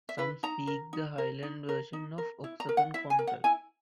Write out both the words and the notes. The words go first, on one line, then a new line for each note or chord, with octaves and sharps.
Some speak the highland version of Oaxacan Chontal.
E5
E4 B4
D#4 A#5
A#4
D#4
A#4
D#4
A#4
D#4
A#4
E4
A#5
A#4
F#5
E4 E5
G#5
A#4
F#5
E4 G#5